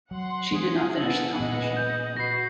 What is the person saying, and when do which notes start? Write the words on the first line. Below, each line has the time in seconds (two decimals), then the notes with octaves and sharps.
She did not finish the competition.
0.11 F#3 F#5 C6
0.52 E3 G#4
0.96 B3 G#4 A4 F#5 F#7
1.40 A#2 D#5
1.76 G6
2.17 F#4 B4 A#6 C7